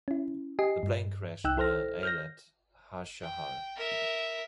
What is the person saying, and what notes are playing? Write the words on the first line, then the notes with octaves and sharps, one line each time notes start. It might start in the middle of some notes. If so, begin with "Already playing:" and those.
The plane crashed near Ayelet HaShahar.
C#4 E4
G4 D#5 G#5 C7
G2
C2 D#4 G5 E6 F#6
E4 A4 C5 F6 A#6
F6 G6 A#6
G5
A#4 E5